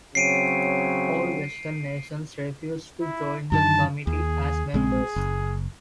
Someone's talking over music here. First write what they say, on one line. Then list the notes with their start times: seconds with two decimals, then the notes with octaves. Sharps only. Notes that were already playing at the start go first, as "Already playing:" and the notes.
All Western nations refused to join the committee as members.
0.15 C#3 F#3 C4 C7 D7 D#7
3.01 E4
3.52 F#2 D3 D#3 A5
4.07 D#2 G#4
4.74 A#1 G#3 C4 G#4
5.16 F#1